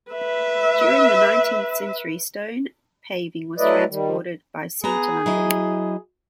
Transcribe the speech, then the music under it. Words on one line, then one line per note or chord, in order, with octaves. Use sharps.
During the nineteenth century stone paving was transported by sea to London.
B4 E5
F#3 A3 E4 B4 D5 D#5
D#3 G3
B3 G#4 F#5 A#5
F#3 E4 D#5